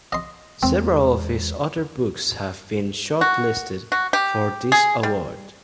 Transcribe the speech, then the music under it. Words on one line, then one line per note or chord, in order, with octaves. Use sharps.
Several of his other books have been shortlisted for this award.
D#5 C6
E2 G#3 C4
F#4
F#4
G4
G#4
G3